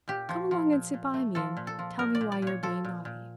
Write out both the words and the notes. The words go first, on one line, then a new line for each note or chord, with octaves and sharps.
"Come along and sit by me and tell me why you're being naughty."
A#2 G4
F3
F3
A#2
A#2
A3
F3 A4
A#2
A4
F3
A#2 A#4
D5
A#2
D5
A#2 C#5
F3 A4
A#2
A#2